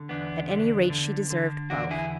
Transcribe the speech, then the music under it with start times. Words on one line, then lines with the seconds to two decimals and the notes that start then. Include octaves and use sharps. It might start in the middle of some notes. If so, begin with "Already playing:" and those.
At any rate she deserved both.
Already playing: D3
0.09 E2 B3 D4
0.49 D3
0.90 D3
1.30 D3
1.70 E2 D4 F#4
1.91 E4 G#4